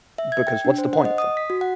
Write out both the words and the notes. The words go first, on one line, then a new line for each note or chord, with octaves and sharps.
Because what's the point of them?
E5
G#6
G5
D4
C5
F#5
D#5
D#6
B6
F#4
F#5